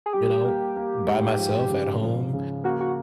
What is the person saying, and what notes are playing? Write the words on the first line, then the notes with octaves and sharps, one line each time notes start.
you know, by myself at home,
G#4
G3 G4
A#3
A#3
G#2
F3
C#3
F3
C#3
A#3 F#4
F#4